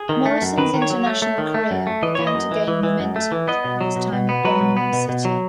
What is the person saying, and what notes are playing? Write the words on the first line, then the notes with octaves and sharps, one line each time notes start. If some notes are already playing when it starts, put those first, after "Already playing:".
Morrison's international career began to gain momentum during his time at Birmingham City.
Already playing: G#4
D#3
A3
F#2
D#3 B4
D#3
C#5
F#3
A3
A3
D#3
A3
F#2
A3
E3 D#5
E3 C#5
D#5
F#2
E3
E3
E3
F#2
A3
E3
B3 D#5
B2
F#3
B2
B2
B3
F#3 B4
B2
B3
B2
B2
F#3